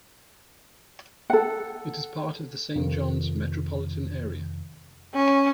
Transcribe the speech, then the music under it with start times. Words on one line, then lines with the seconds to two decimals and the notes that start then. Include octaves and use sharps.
It is part of the Saint John's Metropolitan Area.
1.30 A4 F#5
2.75 F2 C3 D#3
5.14 C#4